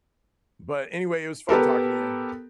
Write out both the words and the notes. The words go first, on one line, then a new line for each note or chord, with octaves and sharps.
But anyway, it was fun talking to you.
B3 G4 A4 A#4